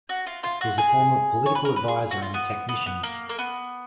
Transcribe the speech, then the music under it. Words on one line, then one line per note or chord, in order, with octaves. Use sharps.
He is a former political advisor and technician.
F#4
F4
F4
F#4
G#4
C#5
B4
A#4
B4
G#4
F#4
F4
B3
B3
B3
A#3
A#3
B3